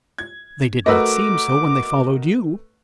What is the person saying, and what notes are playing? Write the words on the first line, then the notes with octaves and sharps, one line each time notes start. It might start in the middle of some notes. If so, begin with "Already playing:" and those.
"They did not seem so when they followed you."
G#6
A3 F#4 A#4 B4 D#5 D6 E6